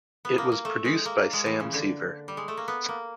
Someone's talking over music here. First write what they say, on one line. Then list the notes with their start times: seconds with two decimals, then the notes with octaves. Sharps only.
It was produced by Sam Sever.
0.25 B3
0.38 A#3
0.52 A#3
0.65 A3
0.85 G#3
1.06 A#3
1.33 G#3
1.46 E3
1.60 C#3
1.74 D3
2.28 G3
2.37 G#3
2.48 A3
2.57 A#3
2.68 B3
2.88 A#3